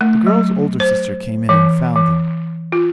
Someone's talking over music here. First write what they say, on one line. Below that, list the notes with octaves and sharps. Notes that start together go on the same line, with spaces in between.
The girl's older sister came in and found them.
A3
F#3
C5
E3
E3
F4